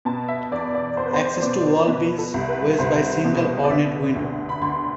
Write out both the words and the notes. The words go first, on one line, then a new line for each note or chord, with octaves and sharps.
Access to wall bins was by single ornate window.
B2 A5
E5
E2 D5
D5
E2 C5
B4
C5
B2 D5
B2 B4
A4
C2
B4
C2 C5
B2
D5
D3 E5
D2
B5
D2 C6